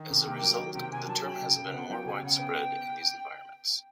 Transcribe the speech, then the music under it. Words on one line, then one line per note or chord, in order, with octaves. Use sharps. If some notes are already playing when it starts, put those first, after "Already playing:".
As a result, the term has been more widespread in these environments.
Already playing: D#3
C3
G#5
A#3 G5
F#3
D#3
C3 G5
A#3 G#5
F#3 A5
F#3 G5
C#3
C#3
B3 F#5
F#3 G5
C#3 G#5
G5
C#3 F#5
G5
B3